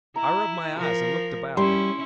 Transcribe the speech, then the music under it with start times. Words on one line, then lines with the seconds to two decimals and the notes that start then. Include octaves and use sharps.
I rubbed my eyes and looked about me.
0.16 E4 A#5
0.78 F3 A#4
1.57 G3 C#4 E4 C6